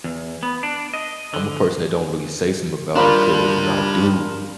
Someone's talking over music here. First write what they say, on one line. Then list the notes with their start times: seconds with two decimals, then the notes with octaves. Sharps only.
I'm a person that don't really say some about it 'cause when I do,
0.04 E2
0.43 B3
0.63 D4
0.94 D#5
1.34 D3
2.96 G3 D4 F4 A#4 B5